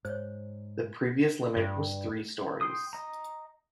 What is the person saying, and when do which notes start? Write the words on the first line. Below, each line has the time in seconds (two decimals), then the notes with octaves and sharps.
The previous limit was three stories.
0.05 G#2 C5 C#5
1.57 G2
2.61 G5 C6 D#6
2.93 D#5 A#5